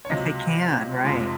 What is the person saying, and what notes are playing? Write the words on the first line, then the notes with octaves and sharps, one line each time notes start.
If they can, right.
C#5
C#2 C3 F#3 D#5
F1 F2 C3 F3 G#3